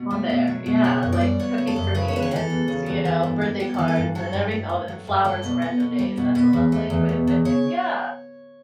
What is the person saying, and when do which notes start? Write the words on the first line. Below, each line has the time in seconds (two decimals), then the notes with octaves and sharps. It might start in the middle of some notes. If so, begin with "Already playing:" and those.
On there, yeah, like cooking for me and, you know, birthday cards and every all and flowers on random days. That's a love language, I think, yeah.
Already playing: B2
0.11 A3
0.30 B2
0.47 F#3
0.66 B2
0.84 C#3 C#5
1.03 F#2
1.12 D5
1.21 G3
1.39 B3 C#5
1.58 C#3
1.67 A4
1.76 F#2
1.94 C#3 B4
2.08 C#5
2.13 E2 B4
2.22 C#5
2.31 E3 G4
2.36 A4
2.50 E2
2.68 C#3
2.86 E2
3.05 E3
3.23 G2
3.41 G3
3.60 B3 G4
3.74 E3 A4
3.88 A4
3.96 G2
4.15 F#3 A4
4.33 G2
4.51 A3
4.69 G2
4.88 F#3
5.07 G2
5.24 G3 A4
5.43 B2
5.62 B3
5.80 B2
5.99 G3
6.17 B2
6.35 B2 B4
6.53 E2
6.72 A3
6.90 E2
7.09 B2
7.27 E2
7.45 C#3 C#5